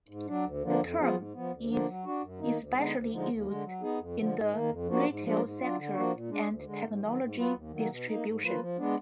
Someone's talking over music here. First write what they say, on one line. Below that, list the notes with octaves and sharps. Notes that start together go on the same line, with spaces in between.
The term is especially used in the retail sector and technology distribution.
G#2
F#3 D4
D2
D3 F3 A#3 D4
F2
F3 B3 F4 G#4
G#2
F3 B3
D2
D3 F3 A#3 D4
F#3
D4 F#4
F#2
D#3 A#3 D#4
D2
D3 G#3 B3 D#4
D2
D3 F3 G#3 D#4
D#2
D3 G#3
F#3
B3 D#4 G#4
F2
D3 F3
G#2
D#3 A#3
F2
F3 A#3 D4 F#4
G#2
F3 G#3 D4
G#2
F#3 D4 F4
D3
F3 A#3 D4 F#4
A#2
G#3 D4
D2
D3 G#3
G#2
D#3 F#3
G#2
F#3 B3 F4 B4
D#2
D#3 F#3 A#3
B2
A#3 D#4
G#2
F3 A#3 F4 B4
F3
G#3 B3 D4